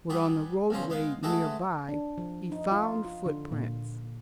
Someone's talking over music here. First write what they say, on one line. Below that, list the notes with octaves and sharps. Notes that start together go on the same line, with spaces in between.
But on the roadway near by he found footprints.
G3 B3 G#4
B1 G2 C#3 C#4 C5
G#3 B3 F5
E3 G#3 A3 F#4 G#4 A4
D4
F3
D#4
F4
F4
D3
A#2